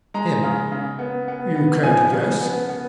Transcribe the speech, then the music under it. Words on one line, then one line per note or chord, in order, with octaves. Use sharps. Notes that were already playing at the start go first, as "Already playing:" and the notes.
HIM: You can't guess?
G#3 A#5
C#3
C#3
B3
B3
B3
F3 G#5
C#3
B3
B3